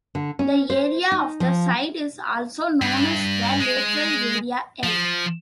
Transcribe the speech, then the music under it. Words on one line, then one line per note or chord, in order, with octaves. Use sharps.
The area of the side is also known as the lateral area, "L".
D3
C#4
C5
D#4
F3
G2
G#3
F3